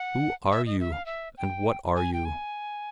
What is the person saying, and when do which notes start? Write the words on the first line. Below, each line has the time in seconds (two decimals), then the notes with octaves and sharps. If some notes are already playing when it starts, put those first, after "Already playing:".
Who are you? and what are you?
Already playing: F#5
0.52 E5
0.66 D#5
0.80 E5
0.92 F5
1.06 E5
1.38 G5
1.96 G#5
2.13 G5
2.25 G#5